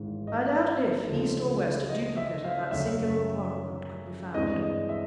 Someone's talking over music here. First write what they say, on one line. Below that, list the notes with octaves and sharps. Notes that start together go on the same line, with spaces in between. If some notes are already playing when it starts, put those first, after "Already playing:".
I doubt if, East or West, a duplicate of that singular apartment could be found.
Already playing: G#1 G#2 E3 G#3
D#5
C#2 C#3 F3 A3
D#5
E5
F5
F#2 C#3 F#3 A3 E5
G2 E3 G#3 C4 D#5
D#5
E5